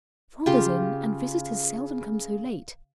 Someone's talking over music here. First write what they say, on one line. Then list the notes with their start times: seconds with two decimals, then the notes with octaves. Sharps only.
"Father's in and visitors seldom come so late."
0.46 C#3 F4 G4 C6